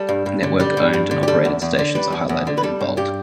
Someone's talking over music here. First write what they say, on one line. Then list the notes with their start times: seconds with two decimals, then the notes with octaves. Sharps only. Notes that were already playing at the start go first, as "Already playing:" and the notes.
Network owned-and-operated stations are highlighted in bold.
Already playing: G3 A4
0.09 G2
0.26 G2
0.43 D3
0.60 G3 G4
0.77 G2
0.93 G2
1.11 D3
1.23 G4
1.28 G3 A4
1.45 E2
1.62 E2
1.79 D3
1.95 G3 B4
2.12 E2
2.29 E2
2.47 D3
2.58 B4
2.63 G3 A4
2.81 G2
2.97 G2 G4